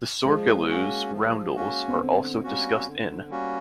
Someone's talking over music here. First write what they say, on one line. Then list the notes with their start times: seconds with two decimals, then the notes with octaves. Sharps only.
The Sorgheloos roundels are also discussed in.
0.24 F3 G#3
0.68 A#3 C#4 F#4
1.12 F3
1.56 A#3 C#4 F#4
1.88 B3
1.99 D3 C4
2.44 G3 A#3 C#4 F#4
2.87 D3
3.30 G3 A#3 C#4 F#4